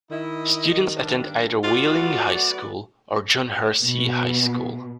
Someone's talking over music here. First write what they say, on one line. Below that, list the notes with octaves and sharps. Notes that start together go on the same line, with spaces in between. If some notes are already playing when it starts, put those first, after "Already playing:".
Students attend either Wheeling High School or John Hersey High School.
D#3 E4 D#5
G2 D4
F#3 A3 B3 F4 F#4 D5
D5
B2